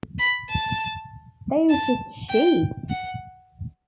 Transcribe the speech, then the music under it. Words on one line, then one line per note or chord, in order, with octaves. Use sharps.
They're just sheep.
B5
A5
A5
G5
F#5